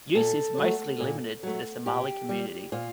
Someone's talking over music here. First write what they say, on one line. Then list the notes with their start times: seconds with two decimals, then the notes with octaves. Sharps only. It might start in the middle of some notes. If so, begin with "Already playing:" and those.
Use is mostly limited to the Somali community.
0.15 A#2 A4
0.58 F#3 A3
1.00 A#2
1.43 F#3 A3
1.86 A#2 G4
2.29 G3
2.72 A#2 F4